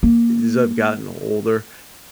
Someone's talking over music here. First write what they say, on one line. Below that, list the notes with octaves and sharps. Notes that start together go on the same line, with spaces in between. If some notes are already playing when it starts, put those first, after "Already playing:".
as I've gotten older,
A#3